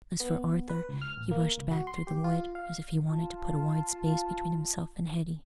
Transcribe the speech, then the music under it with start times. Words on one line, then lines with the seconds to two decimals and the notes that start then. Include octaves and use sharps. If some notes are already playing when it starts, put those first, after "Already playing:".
As for Arthur, he rushed back through the wood, as if he wanted to put a wide space between himself and Hetty.
0.20 B3
0.69 B4
0.89 C#2
1.01 F6
1.17 A1
1.31 A#3
1.58 C#2
1.71 F#4
1.87 C6
2.07 G4
2.24 F4
2.55 F5
3.08 F4 A5